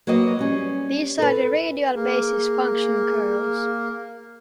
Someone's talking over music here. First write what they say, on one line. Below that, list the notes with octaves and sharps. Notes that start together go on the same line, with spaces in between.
These are the radial basis function kernels.
F#3 A#3 F#4 B4 D#5
G3 C#4
A4 B4
A#3 G#4